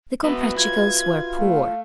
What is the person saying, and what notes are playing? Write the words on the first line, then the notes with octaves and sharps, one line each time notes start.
The Comprachicos were poor.
B3 F#4 B4 E5
F4 G#6
A3 F5